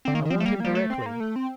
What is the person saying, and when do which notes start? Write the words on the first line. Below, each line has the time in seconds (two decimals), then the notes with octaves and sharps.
I want him directly.
0.05 D3 C4
0.14 D#3 A#3
0.25 D#3
0.30 F3 C4
0.40 A3
0.46 G3 A#3
0.60 G3 A#3
0.75 A3
0.90 C4
1.06 A#3
1.20 A3
1.36 C4